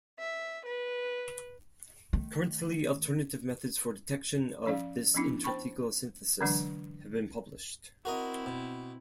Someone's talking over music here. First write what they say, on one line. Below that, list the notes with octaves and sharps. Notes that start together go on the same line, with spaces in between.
Currently alternative methods for detection of this intrathecal synthesis have been published.
E5
B4
D#3 A3
F3 C#4 D5 F5
F3 B3 C#4 D4 E4
C5 G5 A5 B5 C#6
D3 E3 F#3 G#3 D4
C4 E4 F#4 A#4 D#5
B2